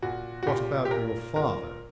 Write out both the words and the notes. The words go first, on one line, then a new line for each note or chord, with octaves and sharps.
"What about your father?"
A#2 F#4
F#4
A#2 G4
G4
A#2 A#4
A#2 A#4